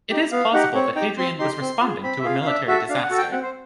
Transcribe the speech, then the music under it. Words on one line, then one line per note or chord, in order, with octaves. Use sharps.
It is plausible that Hadrian was responding to a military disaster.
D#4 G4
B3 F5
D#4 G4 F#5
C4 C#5
D#4 G4 G5
C4 C6
D#4 G4 C6
C4
F4 G#4
C4 B5
E5
F4 G#4 F5
F5
D4 E5
F#4 A4 E5
D4 F5
F#5
F#4 A4
G5
C4 F#5
C5